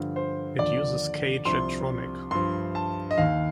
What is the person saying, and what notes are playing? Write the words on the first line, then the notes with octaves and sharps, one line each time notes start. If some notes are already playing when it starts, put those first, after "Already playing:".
It uses K-Jetronic.
Already playing: G2 D3 F3
C5
D#2 D3 F3 D5
C2 C3 F3 C6
G2 F3 C6
A5
D#5
D#2 D#3 F5